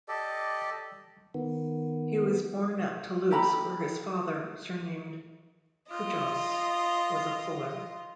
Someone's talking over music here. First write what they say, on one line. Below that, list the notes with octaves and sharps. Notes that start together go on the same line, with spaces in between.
He was born at Toulouse, where his father, surnamed Cujaus, was a fuller.
G4 A4 D5 D#5
D#3 B3
G4 A4 A#5 B5
F4 D#5